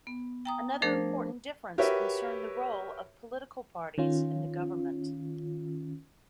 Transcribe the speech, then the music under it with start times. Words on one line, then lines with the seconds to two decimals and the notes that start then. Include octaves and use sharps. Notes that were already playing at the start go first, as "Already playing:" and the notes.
Another important difference concerned the role of political parties in the government.
0.07 B3
0.45 G5 A#5 D#6
0.82 F3 A3 D4 G#4 A#4 C5
1.78 F#4 G4 A#4 B4 C#5 E5
3.98 D#3 C#4 F4